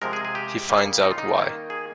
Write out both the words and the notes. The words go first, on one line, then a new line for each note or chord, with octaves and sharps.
He finds out why.
C3 F3 G#3 A#4
G#4
G#4
G4
C#3 G3 A#3
D#4
F4
D#4
D#3 A#3
G#4